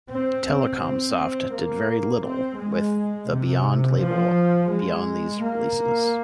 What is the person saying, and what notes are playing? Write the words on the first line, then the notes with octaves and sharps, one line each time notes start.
Telecomsoft did very little with the Beyond label beyond these releases.
C4
C4
A#3
C4
G#3
C3
F3
G#3
A#3